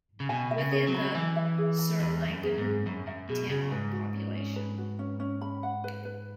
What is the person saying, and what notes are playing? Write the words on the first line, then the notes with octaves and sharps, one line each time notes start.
Within the Sri Lankan Tamil population.
C#3
B2 G#5
E5
C#3
G#4
F#3
B5
E3 G#5
E5
G#4
B5
E2 B5
E5
F#2
G#4
G#2
G#4
F#2 B5
F#2 E5
B2 G#4
C#3 G#4
G#2 B4
F#4
C#4
C#4
B4
F#4
C#4
C#4
B5
F#5
B4
B4